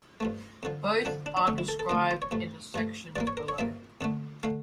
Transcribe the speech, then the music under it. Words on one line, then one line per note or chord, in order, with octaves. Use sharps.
Both are described in the sections below.
G2 F3 A3
F2 D3 F3
F2 D3 F3 D4
D4
D4
F2 D3 A3 C#4
E4
A4
A4
F2 D3 A3 A#4
F4
C#5
G2 F3 A3
G2 F3 A3
G2 F3 A#3 D5
C#5
A#4
C#5
G2 F3 A#3 E5
F2 D3 A3
D3 A3 F5